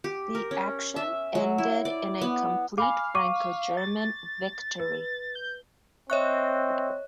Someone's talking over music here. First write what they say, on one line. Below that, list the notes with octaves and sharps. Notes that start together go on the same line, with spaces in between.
The action ended in a complete Franco-German victory.
G4
A#4
C#4
E5
F#3
E4
D5
B3
F5 G#5 B5 D6
C#6 D6 D#7
A6
B4
G6
C4 C#5 D#5 E5 C#6 F#6